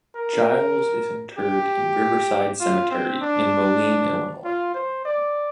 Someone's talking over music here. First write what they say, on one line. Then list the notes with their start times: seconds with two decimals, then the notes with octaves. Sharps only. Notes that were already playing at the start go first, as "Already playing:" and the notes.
Giles is interred in Riverside Cemetery in Moline, Illinois.
0.15 A#4
1.38 G4
2.61 F4
2.91 C4
3.21 D4
4.44 F4
4.74 C5
5.05 D5